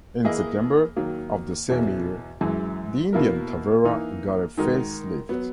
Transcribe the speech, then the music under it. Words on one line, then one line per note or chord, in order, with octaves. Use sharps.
In September of the same year, the Indian Tavera got a facelift.
E3 A#3 E4 G#4 D#5
D#3 F#3 A#3
E2 B2 F#3
F#2 E3 G#3
B2 A#3 E4 A#4
E3 A#3 D#4
D#3 G#3 D#4 F#4 A#4
F#3 B3